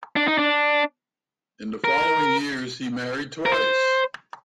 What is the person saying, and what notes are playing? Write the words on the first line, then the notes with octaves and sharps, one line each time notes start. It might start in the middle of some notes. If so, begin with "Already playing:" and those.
In the following years he married twice.
D4
D#4
D4
A#4
A#4
C5